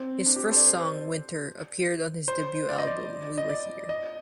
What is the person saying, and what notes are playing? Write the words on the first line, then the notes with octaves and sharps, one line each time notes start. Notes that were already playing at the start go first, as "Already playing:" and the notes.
His first song, "Winter", appeared on his debut album "We Were Here".
Already playing: C4
D4
G4
A4
C5
D5
C5
C5
D5
D#5
D5
D#5
D5
D#5